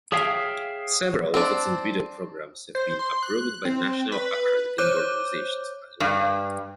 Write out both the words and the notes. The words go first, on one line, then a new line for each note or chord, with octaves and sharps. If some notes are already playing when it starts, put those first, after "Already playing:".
Several of its individual programs have been approved by national accrediting organizations as well.
G#4 C#5 E5 F5 G5
C4 D4
C5
C6
F#6
C4
B4
C5 C#5 D6 F#6 G6
G2